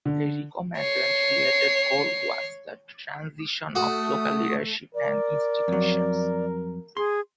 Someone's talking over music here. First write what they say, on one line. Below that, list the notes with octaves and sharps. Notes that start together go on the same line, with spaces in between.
A recommended related goal was the transition of local leadership and institutions.
D3
C#5 C7
A3 F#4 D#6
A#4 D5
F2 F#3
G#4 C6